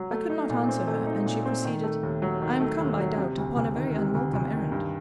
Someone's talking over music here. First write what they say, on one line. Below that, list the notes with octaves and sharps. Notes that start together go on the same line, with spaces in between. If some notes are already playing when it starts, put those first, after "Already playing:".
I could not answer her, and she proceeded--I am come, I doubt, upon a very unwelcome errand.
Already playing: F#3
A3
D#4
A#2
C4
A3
D#4
A#2
C4
D#3
A3
D#2
F#3
D#3
A3
D#2
F#3
C3
D2
D2
D#3
C3
D2
D2
D#3
G2